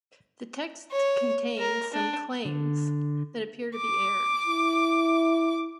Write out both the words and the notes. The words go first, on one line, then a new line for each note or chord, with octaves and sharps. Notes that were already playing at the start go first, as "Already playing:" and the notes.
The text contains some claims that appear to be errors.
C#5
A#4
D4
D3
D6
E4